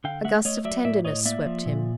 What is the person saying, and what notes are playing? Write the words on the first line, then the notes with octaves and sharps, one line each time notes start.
A gust of tenderness swept him.
D3 F5 G5
A3 E5 F#5
A3 C#5 D#5
F#3 D5 E5
A2 D5 E5
A2 C#5 D#5
A#3 D5 E5
F3
A#2